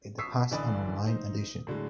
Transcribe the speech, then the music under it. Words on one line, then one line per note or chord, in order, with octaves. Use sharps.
It has an online edition.
C#6 D#6 E6 B6 C7
A1 D3 E3 D5 B5 D#6
D#4 C5
A2 D3 F#3 G#3